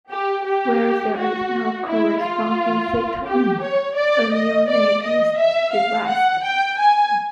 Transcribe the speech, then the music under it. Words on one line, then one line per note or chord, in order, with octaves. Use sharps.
Where there is no corresponding system, a new name is devised.
G4
G4
F#4
E4
F4
G4
C#5
D5
D#5
D5
D#5
E5
F5
F#5
G5
G#5